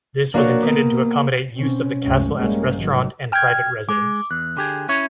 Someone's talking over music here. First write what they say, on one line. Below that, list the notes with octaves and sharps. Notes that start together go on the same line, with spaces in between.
This was intended to accommodate use of the castle as restaurant and private residence.
A#3 D4 F#4 C#5
B2
B2 C4 C#4
F1 C#2 G2 F3 C#4
A#1 G2 G3 G#3 A#3 C#4
A1 G#2 D#3 F#3
G5 F6 G#6
G#3 D6
E2 F#6
D3 G4 G#4
C#4 E4 C#5